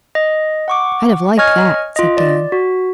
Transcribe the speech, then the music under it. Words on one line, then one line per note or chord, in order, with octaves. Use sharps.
'I'd have liked that!' said Dan.
D#5
F#5 C#6 D6
C#5 D#5 G#5 C#6 F6 G#6
F4 D#5
D5
F#4